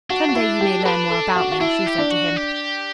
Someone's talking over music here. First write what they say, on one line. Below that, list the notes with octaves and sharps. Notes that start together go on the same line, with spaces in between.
'Some day you may learn more about me,' she said to him.
D4 F#4
F#4
E4
G4
A4
D4 B4
A4
F#4
F#4
D4 E4
G4
D4
F#4
G4